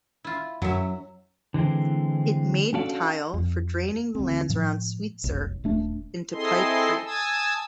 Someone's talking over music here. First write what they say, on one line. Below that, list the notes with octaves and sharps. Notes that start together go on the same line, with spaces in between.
It made tile for draining the lands around Sweetser into Pipe Creek.
E4 F4
F#2 F#3 E5
D3 E3 G#3 C4
C#4 D4 F#4 A4 D5 F5
F2
D2 C4
A2 F3
F1 B1
D#1 A3 D4
C4 E4 G#4 A4 D#5 C6
G#5 A5 D#6 E6